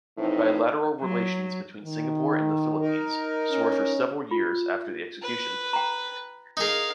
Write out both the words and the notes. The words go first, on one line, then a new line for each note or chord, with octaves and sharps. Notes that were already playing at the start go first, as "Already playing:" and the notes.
Bilateral relations between Singapore and the Philippines soured for several years after the execution.
F2 A2 E3 C4 D#4
F#3
D#3
D#4 A#4
C#4
F4
B4
G5 A#5
D#4 G#4 A#4 F5